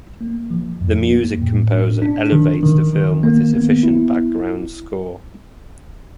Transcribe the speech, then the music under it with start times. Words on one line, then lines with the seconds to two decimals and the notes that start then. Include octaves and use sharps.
The music composer elevates the film with his efficient background score.
0.21 A#3
0.51 F3
0.81 F2
1.11 A#3
1.42 A2
1.72 D4
2.02 D4
2.32 D#3
2.63 D#3
2.93 D#3
3.23 A#3
3.54 B3
3.83 E4